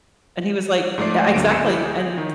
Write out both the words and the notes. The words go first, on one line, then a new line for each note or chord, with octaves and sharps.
And he was like uh, exactly. And
G#2 F3 A3 D5 D6 C7
D2 D3 F#3 A#3 D7
G#5 E6 G6 C7 C#7 E7
E4 G4
G#4
D#3